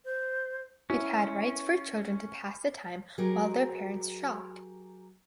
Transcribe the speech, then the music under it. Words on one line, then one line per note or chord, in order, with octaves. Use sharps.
It had rides for children to pass the time while their parents shopped.
C5
C#4 E4
F#3 G4 G#4 A#4